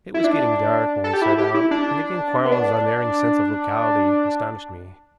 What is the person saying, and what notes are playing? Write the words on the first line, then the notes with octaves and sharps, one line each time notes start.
It was getting dark when we set out, and again Quarles's unerring sense of locality astonished me.
E4
D4
A4
G4
E4
G4
E4
D4
B3
D4